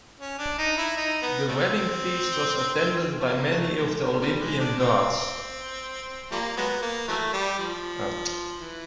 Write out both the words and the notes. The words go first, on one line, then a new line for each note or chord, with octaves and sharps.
Their wedding feast was attended by many of the Olympian gods.
C#4
D4
D#4
E4
D#4
B3
G3 A3 C4
A3
F3 G3 A#3
E3 F#3 A3
G#3
G3
D3 E3 G3
G#3
D4
C4
F3 G3 A#3
F#3 G#3 B3
A#3
E3 F#3 A3
G3
F3
E3